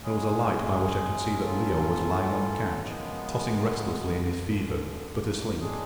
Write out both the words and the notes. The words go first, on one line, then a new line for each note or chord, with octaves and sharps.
There was a light by which I could see that Leo was lying on the couch, tossing restlessly in his fever, but asleep.
C#3 G#3 C#4 G#4
A2 F#3 C#4 F4 A4
F#2 C#3 F3 G#3 B3
F#2 D3 F3
A2 G#3 D4 G#4